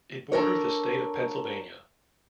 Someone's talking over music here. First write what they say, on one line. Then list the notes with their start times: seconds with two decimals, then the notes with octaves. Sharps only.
It borders the state of Pennsylvania.
0.32 D4 A4 A#4 C#5